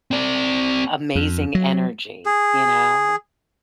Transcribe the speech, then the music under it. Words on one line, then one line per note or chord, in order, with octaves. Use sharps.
amazing energy, you know?
C4 D5
F2
F#3
G#4